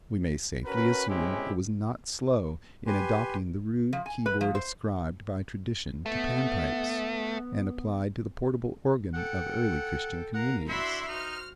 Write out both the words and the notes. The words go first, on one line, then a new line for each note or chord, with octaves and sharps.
We may safely assume it was not slow in adopting the rude keyboard ascribed by tradition to Pan pipes, and applied to the portable organ of early Christian communities.
C#4 F#4 A#4 B4
B2 G#3 C4 C#4 E4 G4
G4 B4 G#5 C6
F3
G#5
B4
F3
C5
A3 B3
A4 F#5 G5
A#4 F5 F#5
D4 E4 F#4 E5 B5 C6
D#4 F#4 C5 F6